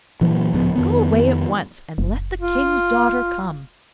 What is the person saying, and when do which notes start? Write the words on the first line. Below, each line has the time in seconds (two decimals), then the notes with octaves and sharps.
Go away at once, and let the King's daughter come.
0.21 A#2 E3 F#3 A#3
0.54 C#2 A2 F3 B3
0.75 F2 D#3 B3
1.98 F#1
2.41 F4